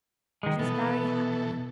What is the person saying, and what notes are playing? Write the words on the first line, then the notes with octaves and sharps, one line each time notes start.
She's very happy.
D#3 G#3
B2 E3 B3 A4